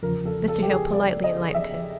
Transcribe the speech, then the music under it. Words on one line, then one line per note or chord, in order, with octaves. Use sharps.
Mr. Hale politely enlightened him.
E2 C#3 F3 A#4
A4
A4
G4
G#4
D5
D#5
E5